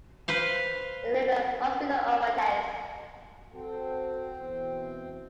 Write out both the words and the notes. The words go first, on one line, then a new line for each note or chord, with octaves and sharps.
The river must be the Orontes.
B4 C5 F5
C4 F#4 A4
B2 E3